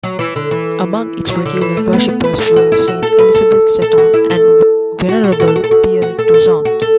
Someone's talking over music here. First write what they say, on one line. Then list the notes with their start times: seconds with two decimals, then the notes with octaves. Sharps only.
Among its regular worshippers were Saint Elizabeth Seton and Venerable Pierre Toussaint.
0.03 F#3
0.19 E3
0.36 D3
0.51 E3
1.30 F#3
1.45 D3
1.61 E3
1.77 A3
1.93 B3
2.08 B3
2.24 B4
2.40 A4
2.56 F#4
2.72 E4
2.88 F#4
3.03 A4
3.19 B4
3.34 A4
3.82 A4
3.98 F#4
4.13 E4
4.30 A4
5.09 F#4
5.24 F#4
5.32 A4
5.40 F#4
5.47 A4
5.56 F#4
5.64 A4
5.71 F#4
6.02 F#4
6.19 A4
6.34 A4
6.65 F#4
6.82 A4